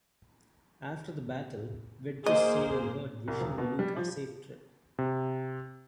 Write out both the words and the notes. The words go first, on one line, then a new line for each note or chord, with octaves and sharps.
After the battle, Wedge is seen and heard wishing Luke a safe trip.
A#3 G#4 C5 D#5
C2
E1
B2
G3
F3
C3